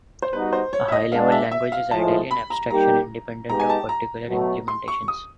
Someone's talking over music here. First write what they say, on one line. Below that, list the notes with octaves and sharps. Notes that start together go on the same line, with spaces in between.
A high level language is ideally an abstraction independent of particular implementations.
C5
G3 B3 D#4 F#4 B4
C5
C#5
E5
D#5
G#3 B3 D4 F5
E5
E5
F5
A2 F3 G#3 A5
B5
A#5
G3 A#3 D#4 G4 A#5
G#3 B3 D#4 G4 A#5
G#5
A5
A#5
B2 F#3 A3
C6
C#6
D#6